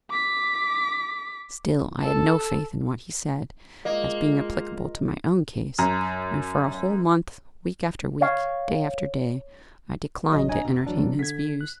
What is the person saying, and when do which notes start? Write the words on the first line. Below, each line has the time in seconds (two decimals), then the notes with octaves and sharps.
Still, I had no faith in what he said, as being applicable to my own case; and for a whole month, week after week, day after day, I declined to entertain his views.
0.10 D6 B6
2.00 A4 A5
3.85 G#3 A#3 F4 D#5
5.79 F#2 A#5
8.21 C#5 F5
10.32 A1 F#3 D#5
10.48 D4 C#5 D#5 G#5 A#5
10.65 F1 B2
10.87 E3 F#3 D4
11.19 D3 G#6 B6
11.61 F#6